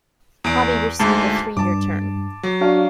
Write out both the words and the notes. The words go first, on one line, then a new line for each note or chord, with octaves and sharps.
Hobby received a three-year term.
E2 D7
D2 G#2 A5
G2 A5 D6
F#3
D4 F#4 F5